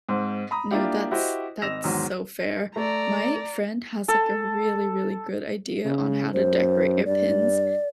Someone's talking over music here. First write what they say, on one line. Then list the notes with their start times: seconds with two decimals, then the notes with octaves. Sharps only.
No, that's that's so fair. My friend has like a really, really good idea on how to decorate your pins
0.09 G#2 C4
0.51 A#5 B5 D#6
0.71 A#3 D4 E4 F4 G4
1.11 E4 F#4 G4 C5 D#5
1.62 G#1 D#5 E6 A#6 E7 F7
1.84 E2 G#2 D#3 F#3 G#3
2.76 A3 D5 A#5
4.08 A4
5.85 C#3
6.34 F#2 C5
7.05 G2 D5